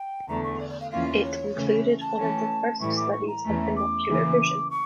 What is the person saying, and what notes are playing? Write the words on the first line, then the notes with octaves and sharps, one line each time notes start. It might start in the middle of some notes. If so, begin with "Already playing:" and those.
It included one of the first studies of binocular vision.
Already playing: G5
E2 D3 A3 A#5
C#6
D5
D5
F5
E2 E3 A#3 C#4 F4 F5
E5
C#5
C#3 E3 A3 C#4
A5
E3 A3 C#4
A2 E3 G3 C#6
D6
C#6
A#5
E2 E3 A3 C#4
D6
C#3 E3 A#3
C#6